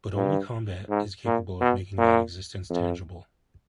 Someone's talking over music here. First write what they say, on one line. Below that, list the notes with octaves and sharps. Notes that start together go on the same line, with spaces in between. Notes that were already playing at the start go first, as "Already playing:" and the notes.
But only combat is capable of making that existence tangible.
G2
G#2
A#2
B2
A#2
F2